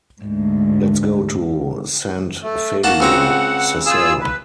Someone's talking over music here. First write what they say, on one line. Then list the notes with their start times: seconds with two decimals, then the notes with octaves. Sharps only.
Let's go to Sant Feliu Sasserra.
0.20 D2 G#2
2.43 A3
2.84 A#3 F#4 F#5 A5
3.00 C#2 C4 F#5 A#5
3.86 F4 G#4 E6
4.21 B4